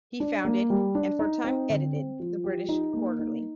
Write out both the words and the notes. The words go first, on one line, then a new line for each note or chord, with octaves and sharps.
He founded, and for a time edited, the "British Quarterly".
D4
A#3
G3
D4
D#4
C4
D3
C4
F3
G4
D#4
A#3
D#4